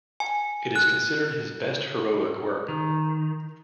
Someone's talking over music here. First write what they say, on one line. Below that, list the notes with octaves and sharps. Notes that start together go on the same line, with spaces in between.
It is considered his best heroic work.
G#5
F#6
D#3